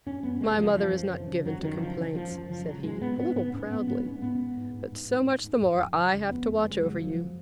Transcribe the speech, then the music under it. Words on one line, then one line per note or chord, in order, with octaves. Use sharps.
My mother is not given to complaints,' said he, a little proudly. 'But so much the more I have to watch over you.
F#2 C#4
F#2 B3
C#3 G#3
C#3 F3
F#2 F3
F#2
C#3
C#3
F#2 F#3
F#2 D#3
C#3 F3
C#3
F#2 F3
F#2
C#3 F3
C#3 F#3
G#2 G#3
G#2 B3
G#2 B3
G#2 B3
G#2 C#4
G#2 B3
G#2 B3
G#2 C#4
G#2 B3
G#2
G#2
G#2
G#2
G#2
G#2
G#2
F2
F2
C#3
C#3
F2 B3
F2
C#3 G#3
C#3 F#3
F2 F3